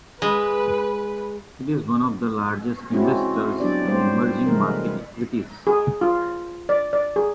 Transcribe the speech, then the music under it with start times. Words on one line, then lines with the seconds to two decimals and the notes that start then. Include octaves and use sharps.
It is one of the largest investors in emerging market equities.
0.22 G#3 B4
2.90 G#3 C4 C#4 E4 F#4
3.60 F#3 B3 D4 G4 D5
3.85 G3 C4 G4 C5
4.46 C3 E3 G#3 A3 A#4
5.67 G#4
6.01 F4
6.69 D5
6.93 D5
7.16 G#4